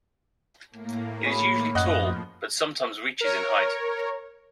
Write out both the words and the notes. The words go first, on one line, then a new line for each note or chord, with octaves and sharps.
It is usually tall, but sometimes reaches in height.
A2 A#3
G#4 C#5 B5
F#2 F3 D#5 F#5 D6 F#6
A#4 C#5